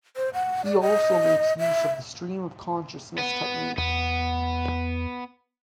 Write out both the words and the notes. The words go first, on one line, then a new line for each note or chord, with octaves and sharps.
He also makes use of the stream of consciousness technique.
C5
F#5
D5
D#5
E5
B3 B4
E2 B3